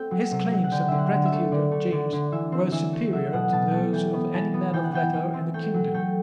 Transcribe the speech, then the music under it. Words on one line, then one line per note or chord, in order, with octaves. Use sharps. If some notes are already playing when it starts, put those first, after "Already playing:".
His claims on the gratitude of James were superior to those of any man of letters in the kingdom.
Already playing: A3 C4 G5
F#3
C3
F#3
F#5
D3 G5
D3 E5
F#5
D3
E5
A3
D3 D5
A3
D3 D5
D3
E3 E5
C4
E3 E5
A3
F#3 E5
B2 F#5
B2 A5
G5
A3 A5
E3 G5
B3
E3 A5
B3
E3 G5
F#5
E3 G5
E3 G5
C4
A3 G5
F#3
A3 G5